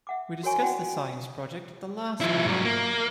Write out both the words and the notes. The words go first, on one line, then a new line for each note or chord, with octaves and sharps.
We discussed the science project at the last meeting.
E5 F#5 D6
F#4 A#4 C#5 G#5 C#6
E4 F#4 D5 F#5 G5
F3 E4
G#2 F#3
A#3